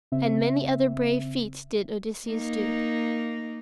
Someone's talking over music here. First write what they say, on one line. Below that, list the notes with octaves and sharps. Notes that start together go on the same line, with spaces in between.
And many other brave feats did Odysseus do.
C#3 C4 E5
A#3 D#4